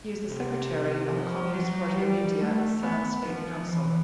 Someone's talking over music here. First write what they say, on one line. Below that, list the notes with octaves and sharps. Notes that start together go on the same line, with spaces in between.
He is the Secretary of Communist Party of India Assam State Council.
C3
F3
F#3
G3
A3
B3
F3
E3